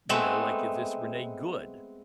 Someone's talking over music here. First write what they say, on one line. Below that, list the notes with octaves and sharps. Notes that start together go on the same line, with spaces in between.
you know, like, if this Renee Good,
G#3 A3 B3 C4 E5